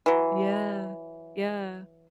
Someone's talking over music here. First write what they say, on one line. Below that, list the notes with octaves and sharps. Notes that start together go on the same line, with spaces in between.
Yeah. Yeah.
E3 F#3